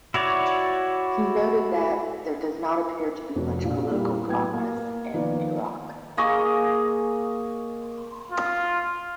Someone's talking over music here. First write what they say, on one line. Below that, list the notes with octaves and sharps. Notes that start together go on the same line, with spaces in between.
He noted that, "there does not appear to be much political progress" in Iraq.
E4 F#4 C#5 D5
F1 F2 F#4 C#5
A#1 A#2 F4
G3 A#3 E4
A2 F#3 B3 G5 G#6
A#3
D#3 F3 A#3 B3 D5
A#3 G#4 D#5 C#6
F4